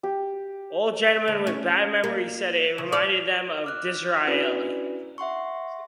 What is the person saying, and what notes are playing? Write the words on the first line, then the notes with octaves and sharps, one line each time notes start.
Old gentlemen with bad memories said it reminded them of Disraeli.
G4
D2
C#4
A#3
C#3
D5
D6 F6 F#6
C#4 D4 E4 F#4 B4 D5
E5 F#5 C6 C#6